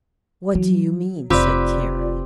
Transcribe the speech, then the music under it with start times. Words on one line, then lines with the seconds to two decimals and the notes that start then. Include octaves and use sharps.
"What do you mean?" said Carrie.
0.55 E3 F#3
1.30 F1 C4 F4 G4 B4 D5